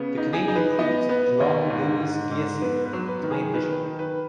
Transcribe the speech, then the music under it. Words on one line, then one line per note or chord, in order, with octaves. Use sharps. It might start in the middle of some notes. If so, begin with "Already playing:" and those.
The Canadian priest Juan Luis Giasson, was made Bishop.
Already playing: C#3 B3
D#4
G#4
D#4
B4
B3 D#5
B3 B4
D#2 D#5
G#2
G#2
G#2
B3 B4
B4
F#3
B4
D#3
G#4
D#3 B4
D#3
B4